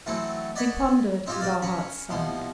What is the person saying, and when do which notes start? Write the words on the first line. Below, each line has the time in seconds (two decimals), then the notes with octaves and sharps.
We pondered, and our hearts sank.
0.06 E3 F#3 A3 C4 A4
0.56 D5 D#5 F#5 G#5 B5 C#6
1.26 C4 D#4 F4 G4 G#4
1.40 F4 A#4 C5 D5 F5
1.62 C#4 A#4 B5
2.09 C2 B2 F3 C6